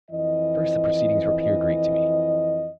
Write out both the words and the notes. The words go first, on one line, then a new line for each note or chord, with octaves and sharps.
At first the proceedings were pure Greek to me.
F2 E3 D#5